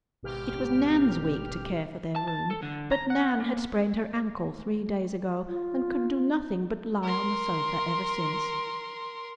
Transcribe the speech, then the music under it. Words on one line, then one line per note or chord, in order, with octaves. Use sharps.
It was Nan's week to care for their room, but Nan had sprained her ankle three days ago and could do nothing but lie on the sofa ever since.
G#1 B2 G4 F6
A5
A5
A4
D3
A#5
F#5
A#3
F4
A#4 C6